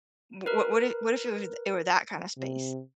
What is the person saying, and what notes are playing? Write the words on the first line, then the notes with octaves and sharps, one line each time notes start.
wha wha what if what if it were it were that kind of space?
A#4 B4
C3